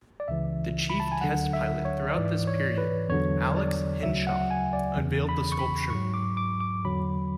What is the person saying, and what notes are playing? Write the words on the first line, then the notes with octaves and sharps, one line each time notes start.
The Chief Test Pilot throughout this period, Alex Henshaw, unveiled the sculpture.
D5
C#2 C#3 E3 E5
B5
A5
G#5
D2 D3 F#3 F#5
E5
C#5
G#2 E3 D5
C#5
B4
E2 D3 F#3 C#5
D5
D2 C#3 F#3 E5
F#5
G#5
D5
E2 C#3 E3
B5
C#6
B5
G#2 F#3 C#6
D6
D6
D6
E2 D3 F#3 B5